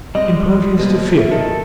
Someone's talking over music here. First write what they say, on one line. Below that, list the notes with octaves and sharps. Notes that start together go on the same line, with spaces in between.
Impervious to fear!
G3 G#3 C4 D#5
D#2 B2 C4
E4
D#3 A4